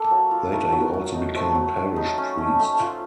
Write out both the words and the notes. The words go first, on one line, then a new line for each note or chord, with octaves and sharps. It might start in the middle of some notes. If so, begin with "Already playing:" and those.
Later he also became parish priest.
Already playing: A#3 A4
F#3
F4
A3 A#4
F#3
F#3
D#4
A3 C5
F#3
F#3
D#4
C#4
A3
A3
F4